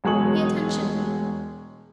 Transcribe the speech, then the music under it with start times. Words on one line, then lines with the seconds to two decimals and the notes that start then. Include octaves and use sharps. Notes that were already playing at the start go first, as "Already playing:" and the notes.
Pay attention!
0.04 E1 F#3 G#3 G#4 C#6 F#7